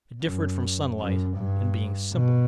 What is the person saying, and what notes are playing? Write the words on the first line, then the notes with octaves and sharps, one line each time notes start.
It differed from sunlight in being simple.
F#2
F#2
G2
B2